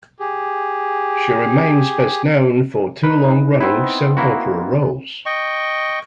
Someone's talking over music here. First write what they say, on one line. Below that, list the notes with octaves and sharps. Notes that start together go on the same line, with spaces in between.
She remains best known for two long-running soap opera roles.
G4 G#4
D#4 B4
B3 C4 E4
A#3 E4 F#4
D#5 G5 C#6